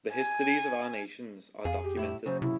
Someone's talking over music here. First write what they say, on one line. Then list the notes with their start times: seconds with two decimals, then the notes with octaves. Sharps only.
The histories of our nations are documented.
0.13 G#5
1.65 F2 G#4 F5
1.84 G4
1.97 A2 E4
2.26 F#2 C#3 C5
2.42 C3 E4